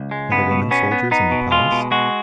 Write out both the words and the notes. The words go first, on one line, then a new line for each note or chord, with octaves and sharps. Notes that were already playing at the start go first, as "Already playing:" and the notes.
"Are the women soldiers in the Palace?"
Already playing: C#2
G#3
C#2 B3
B2
B3 C#4
B3
B3 D#4
B2
G#3 F4
B2
G#3 F#4